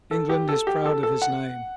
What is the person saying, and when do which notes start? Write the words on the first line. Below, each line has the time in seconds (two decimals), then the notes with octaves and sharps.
England is proud of his name.
0.11 A4
0.29 G4
0.49 A4
0.67 G4
0.86 A4
1.03 A4
1.22 F#5